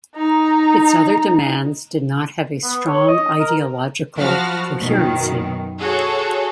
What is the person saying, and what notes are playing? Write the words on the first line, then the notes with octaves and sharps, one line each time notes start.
Its other demands did not have a strong ideological coherency.
D#4 A#5
B3
C#5
D#5
A#4
F3 F#4 A5 B5 F6 A#6
F#2 B2 D#3
F#4 G#4 A4 C#5